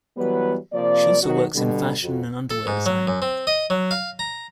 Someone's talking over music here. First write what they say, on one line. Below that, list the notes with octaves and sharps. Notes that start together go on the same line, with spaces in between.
She also works in fashion and underwear design.
E3 F#3 G3 B3 B4
C3 F3 A#3 D5
D#3 F#3 F#4
B2 D3 G3
F2 F#4
A4
G#2
F#3
F#2
C4
D#5
F#3
F5
A#5